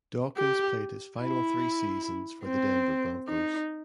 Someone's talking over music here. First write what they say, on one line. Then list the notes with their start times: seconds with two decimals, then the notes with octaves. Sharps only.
Dawkins played his final three seasons for the Denver Broncos.
0.37 G4
1.20 E4
2.45 C4
3.28 D#4